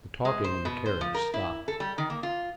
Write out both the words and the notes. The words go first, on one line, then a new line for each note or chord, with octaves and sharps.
The talking in the carriage stopped.
G#3
C5
B2
C5
F3
A#4
E4
A4
G3
D#3
A#3
F4